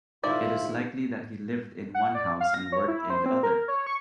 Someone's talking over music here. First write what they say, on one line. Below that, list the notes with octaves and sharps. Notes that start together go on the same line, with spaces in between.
It is likely that he lived in one house and worked in the other.
G#2 D#3 E4 F4 D5
F#5
D5
F5
A#6
C#5
E4
C5
C4
A#4
C#5
C#6